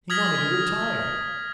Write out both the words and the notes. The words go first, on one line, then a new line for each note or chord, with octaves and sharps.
He wanted to retire.
D#6 F6 G#6 A#6 B6 F#7